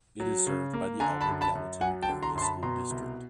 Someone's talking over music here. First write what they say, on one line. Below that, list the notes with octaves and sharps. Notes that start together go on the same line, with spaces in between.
It is served by the Albert Gallatin Area School District.
F#3
C#3
A#3
D3 G#5 A#5
A5 B5
F#2
A5 B5
F#2
F#3 F#5 G#5
G5 A5
D3
A#5 C6
F#2 C6
A5 B5
B2 A#5 C6
C2